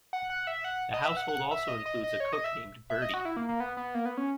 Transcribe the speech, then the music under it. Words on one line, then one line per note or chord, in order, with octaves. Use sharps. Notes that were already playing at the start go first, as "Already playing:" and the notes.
The household also includes a cook named Birdie.
F#5
F#5
E5
F#5
D#5
E5
F#5
F#5
E5
D#5
D#5
D#5
C#5
D#5
E5
E5
D#5
F#4
E4
A#3
A#3
B3
B3
A#3
B3
C#4